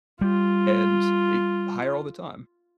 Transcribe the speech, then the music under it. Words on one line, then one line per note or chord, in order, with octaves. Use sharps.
and it higher all the time.
G3 F4